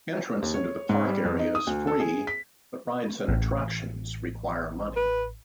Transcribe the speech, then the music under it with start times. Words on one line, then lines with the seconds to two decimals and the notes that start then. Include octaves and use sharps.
Entrance into the park area is free, but rides and attractions require money.
0.42 D#2
0.54 C#5
0.89 G#2
1.08 G3
1.25 F2
1.39 D#4
1.55 D#6
1.67 D2
1.87 A4
2.00 G#4
2.27 B6
3.28 A1
4.96 B4